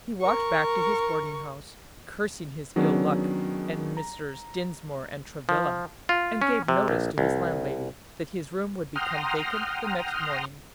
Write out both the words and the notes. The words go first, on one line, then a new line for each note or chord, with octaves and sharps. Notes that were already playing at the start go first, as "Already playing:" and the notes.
He walked back to his boarding-house, cursing his ill luck and Messrs. Dinsmore and Travilla, and gave notice to his landlady that his room would become vacant the next morning.
A#4 C#6
D#3 F#3 B3 C#4 D4 G#4
A#5
F3
F4
C#4
C3
A#1
C2
F#5 G5 A#5 C6 D#6 F6